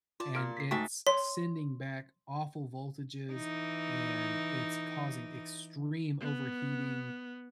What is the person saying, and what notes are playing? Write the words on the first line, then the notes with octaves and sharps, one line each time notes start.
and it's sending back awful voltages, and it's causing extreme overheating,
F4 D5 A5
A#2 F6 D7
B6 C7
G#2 A3 F#4 E5 G5 A5
C#5 C6
E3 D#4
B3